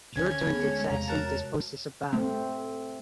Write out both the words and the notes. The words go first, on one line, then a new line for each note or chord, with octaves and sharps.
You’re doing the exact thing this post is about.
D2 C#4 G#6
A3 B3 G#4
G#3 A3 C#5
E2 C3 G#3 F5 A#5
F#4 A#4 C#5 A5
A3 C4